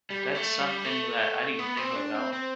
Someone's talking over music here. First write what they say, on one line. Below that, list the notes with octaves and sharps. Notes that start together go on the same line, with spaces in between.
That's something that I didn't even think about.
G3
A3
G3
A3
B3
C4
D4
C4
C4